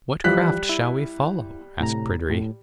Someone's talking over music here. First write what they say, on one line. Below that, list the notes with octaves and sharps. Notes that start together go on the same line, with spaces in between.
'What craft shall we follow?' asked Pryderi.
E3 F3 G3 F4 F#6 B6
E4
A2 C3 A#5
A2